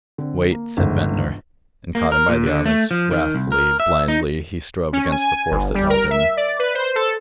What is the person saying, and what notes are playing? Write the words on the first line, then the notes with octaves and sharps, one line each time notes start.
"Wait," said Ventnor, and caught him by the arm as wrathfully, blindedly, he strove against the force that held him.
D3 C4
A#3
G1 C#2 G#2 E3
A#3
A#4
A#2
D3
A3
F3
D#3
C2
A#4
E5
D#4
C#4
G#5
G1
G3
A#4
E5
D5
B4
C5
A4